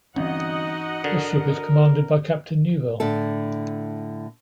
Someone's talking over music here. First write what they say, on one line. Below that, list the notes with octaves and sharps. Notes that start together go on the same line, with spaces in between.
This ship is commanded by Captain Neuville.
G1 E3 C4 C#4 D#4 F#4 D#5 F#5
D3 A#4
A2 D3 A4